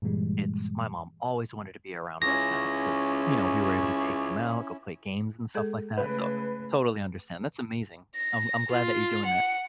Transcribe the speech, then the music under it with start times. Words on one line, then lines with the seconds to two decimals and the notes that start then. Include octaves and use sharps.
it's my mom always wanted to be around us now because, you know, we were able to take him out, go play games and stuff like that, so, totally understand. That's amazing. I'm I'm glad that you're doing that.
0.02 G2 A#2 E3 G3 G#3
2.22 C#2 C#4 E4 A#6
5.55 G#3 G#4 A4
5.97 C#3 A3 B4
8.16 A#6
8.72 F4
9.26 F#5